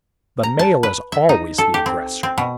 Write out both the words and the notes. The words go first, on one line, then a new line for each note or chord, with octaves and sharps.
The male is always the aggressor.
A#5
A5
B4
E5
D#4
A4
G4
C4
C4
B2